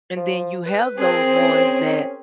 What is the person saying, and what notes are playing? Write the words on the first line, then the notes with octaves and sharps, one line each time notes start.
and then you have those ones that
F3
B4
C4 G#4 A#4
C#4